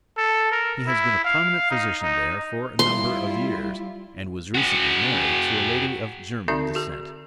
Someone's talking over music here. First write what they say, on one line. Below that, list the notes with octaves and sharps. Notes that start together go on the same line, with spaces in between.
He has been a prominent physician there for a number of years, and was recently married to a lady of German descent.
A4
A#4
E4
F5
D#4
D#4
G3 E4 F4 C6
F#4 G#4
D3 C4 D#4 F#4 D5 E5
F#4 G#4